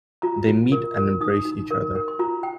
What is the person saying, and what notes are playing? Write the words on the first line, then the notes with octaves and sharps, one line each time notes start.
They meet and embrace each other.
F4 A#5
F4
A#4
A#4
D#4 D#6
D#4
A#4
A#4
C6
F4 A#5
G5